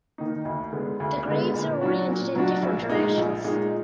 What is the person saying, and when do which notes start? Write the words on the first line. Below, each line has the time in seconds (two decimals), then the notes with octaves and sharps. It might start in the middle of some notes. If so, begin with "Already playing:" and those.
The graves are oriented in different directions.
0.18 D#3 A#3 D#4
0.45 D2
0.73 D3 G#3 B3
1.00 D2
1.27 D3 G#3 B3
1.54 A#2
1.81 F#3 D4 F#4
2.08 A#2
2.35 F#3 D4 F#4
2.63 A#1
2.89 A#2 G#3 D#4
3.17 A#1
3.44 A#2 G#3 D#4